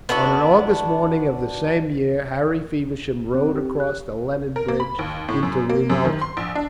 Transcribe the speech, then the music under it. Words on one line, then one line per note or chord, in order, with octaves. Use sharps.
On an August morning of the same year Harry Feversham rode across the Lennon bridge into Ramelton.
B3 D4 E4 F#4
C4
G4
F#6
A#4
A#3
B5
D#2
A2
F#2
A#3
F#2
D#3
C6
A#1
D4